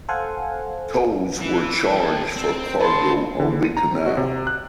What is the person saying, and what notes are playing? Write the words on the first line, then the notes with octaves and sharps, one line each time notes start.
Tolls were charged for cargo on the canal.
A4 C5 F5 F#5 G#5
E3
G4 A4
C4
C#4 A5 B5 C6
D3
D#7
A#5
C4
F#4
C3
F#6